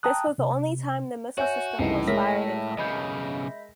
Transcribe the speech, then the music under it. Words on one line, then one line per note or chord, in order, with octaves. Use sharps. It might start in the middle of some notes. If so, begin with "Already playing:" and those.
This was the only time the missile system was fired in combat.
G5 A5 A#5 D#6 F#6
C3
F#4 C#5 E5 G#5 G6
C2 A2 C#3 E3 D#4
G#3 A#4 C#5 E5 A#6 B6
B1 C#3 D#5 B5 G6